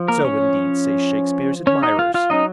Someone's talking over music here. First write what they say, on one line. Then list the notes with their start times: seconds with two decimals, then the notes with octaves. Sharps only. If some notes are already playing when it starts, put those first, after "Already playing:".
So, indeed, say Shakespeare's admirers.
Already playing: F3
0.08 A#3 A#4
0.25 C#4 C#5
1.67 C#4 C#5
1.83 D#4 D#5
1.99 F4 F5
2.14 F4 F5
2.30 F#3 C#4 D#4 D#5